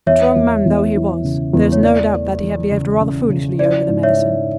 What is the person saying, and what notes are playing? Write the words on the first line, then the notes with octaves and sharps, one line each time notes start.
Strong man though he was, there is no doubt that he had behaved rather foolishly over the medicine.
E2 C#5 E5
E2
E2
E3
C#3
E2
C#5
E3 D5
A3
E3
C#3
C#3
C#3
E4 D5
G#2
C#5 E5
E4